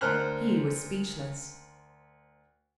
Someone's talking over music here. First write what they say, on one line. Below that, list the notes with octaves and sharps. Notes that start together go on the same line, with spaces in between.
He was speechless.
D2 A#4 C5 C6 F6 F#6